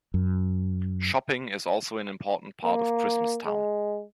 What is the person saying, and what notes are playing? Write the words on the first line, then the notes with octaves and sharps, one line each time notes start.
Shopping is also an important part of Christmas Town.
F#2
A#3
G#3